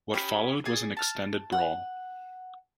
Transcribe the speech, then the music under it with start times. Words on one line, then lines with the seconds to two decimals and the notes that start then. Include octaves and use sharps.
What followed was an extended brawl.
0.14 C#4 G4 D#5 B5
0.65 G#4 D5 G#5
0.97 A5 F6
1.52 F#5